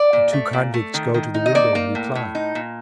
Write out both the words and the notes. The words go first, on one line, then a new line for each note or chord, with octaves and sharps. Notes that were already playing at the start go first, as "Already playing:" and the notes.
The two convicts go to the window and reply.
Already playing: D5
A#2
A3
A#2
A3
D#3
D#3
D#4
D#5
A#3 D5
A#3
A2
A2
D#4
A#2